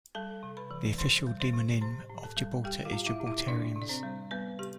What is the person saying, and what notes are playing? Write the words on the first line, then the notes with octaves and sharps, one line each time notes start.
The official demonym of Gibraltar is "Gibraltarians".
G3 A4 A5
C3
B4 B5
E3
C3 C5 C6
G3
C5 C6
C3
A2 C5 C6
A2
A4 A5
G3
G3 G4 G5
F4 F5
A2
E4 E5
A2
E4 E5
C3 D4 D5
C3
D5
C4 C5
G3
G3 B3 B4
C3 G4